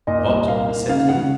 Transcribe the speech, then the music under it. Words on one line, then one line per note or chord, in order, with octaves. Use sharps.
"What?" said he.
A#2 D#5
C2
A#3 F5
A#3
C#3 F5
C#3 F#5